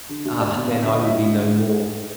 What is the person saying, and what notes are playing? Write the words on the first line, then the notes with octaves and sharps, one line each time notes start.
Ah! then I will be no more!
D3
D2
D2 D5
B3
D3 F5
D2 E5
D#5
D3 E5
D3